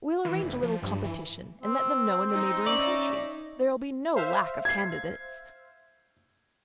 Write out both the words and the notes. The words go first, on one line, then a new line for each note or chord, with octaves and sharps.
We'll arrange a little competition, and let them know in the neighbouring countries; there'll be no lack of candidates.
E3
F1
F3
G2
E3
C4
D#4
C#4 C#5 D5 E5
C5 E5 F5
G#6 C7